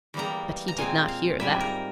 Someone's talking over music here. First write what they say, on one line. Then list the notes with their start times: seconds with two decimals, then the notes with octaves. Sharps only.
But he did not hear that.
0.14 E2 E3 G3 A#3 A#5
0.68 A#5
0.78 A#2 G#3 C4 G#5
1.08 F5
1.40 G#2 G3 A#3 E5
1.60 A#4